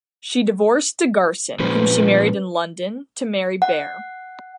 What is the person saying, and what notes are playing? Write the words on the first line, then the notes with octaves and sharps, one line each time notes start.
She divorced De Garson, whom she married in London, to marry Baer.
A#2 F3 G#3 C#4 B4 C5
F#5